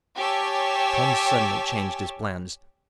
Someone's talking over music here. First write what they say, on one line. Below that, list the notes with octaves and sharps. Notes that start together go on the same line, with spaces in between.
Tom suddenly changed his plans.
G4 C#5 G#5 A5 E6